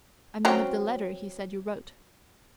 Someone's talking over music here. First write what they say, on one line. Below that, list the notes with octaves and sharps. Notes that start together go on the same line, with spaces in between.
"I mean of the letter he said you wrote."
F#3 C4 C#4